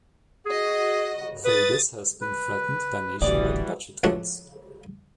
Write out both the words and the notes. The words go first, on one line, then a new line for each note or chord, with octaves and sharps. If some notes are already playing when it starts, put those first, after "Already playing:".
Though this has been threatened by nationwide budget cuts.
F#4 G#4 D#5
B4 D#6 A6
B4
D1 A1 D2 E3 G3 F#4 D5 D#6
C#2 A2 F3 D4 F#4 C#6